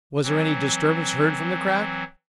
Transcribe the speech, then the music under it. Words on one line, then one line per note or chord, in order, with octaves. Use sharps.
"Was there any disturbance heard from the crack?"
E3 F#3 C4